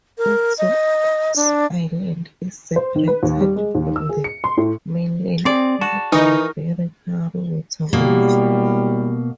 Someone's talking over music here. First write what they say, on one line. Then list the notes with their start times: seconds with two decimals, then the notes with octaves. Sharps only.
Also Ox Island is separated from the mainland only by a very narrow waterway.
0.18 A#4
0.58 D#5
1.36 D4
2.76 C5
2.96 D#3
3.08 B4
3.23 D#2
3.41 G3
3.56 G#3
3.75 D#2
3.96 E6
4.09 G#4
4.24 C#7
4.44 C6
4.57 A2
5.45 C4 G#4 D5
5.81 F#4 A5
6.12 E3 D#4 A#4 C#6
7.93 B2 E3 F#3 G3 A#3